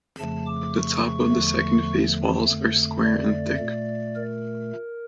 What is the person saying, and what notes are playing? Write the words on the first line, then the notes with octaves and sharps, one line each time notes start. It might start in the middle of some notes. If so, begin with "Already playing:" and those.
The top of the second phase walls are square and thick.
F2 C#3 F3 A3 A5
D6
C#6
E2 D3 F3 A3
F2 D3 A3
D5
A#2 A3
A#4